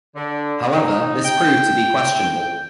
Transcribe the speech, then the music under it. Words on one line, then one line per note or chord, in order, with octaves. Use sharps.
However this proved to be questionable.
D3
D#4
G5